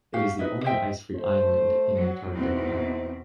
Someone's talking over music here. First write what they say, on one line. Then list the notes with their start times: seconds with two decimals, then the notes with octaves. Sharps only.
It is the only ice free island in Antarctica.
0.13 F#4 G4 F5
0.39 D#4 B4 D#5 E5
0.64 C5 D#5 E5 G5
1.15 A3 C5
1.94 F#3
2.34 E2 B2 C4 D#4 E4 C5